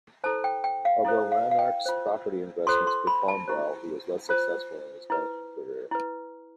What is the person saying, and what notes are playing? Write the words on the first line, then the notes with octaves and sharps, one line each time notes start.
Although Larnach's property investments performed well, he was less successful in his banking career.
E4 A4 C5 A5
G5
G5
F5
E4 A4 C5
F5
F5
G5
F4 C5
F4 A4 C5 C6
C6
B5
A5
E4 G4 C5
F4 C5
E4 B4
E4 B4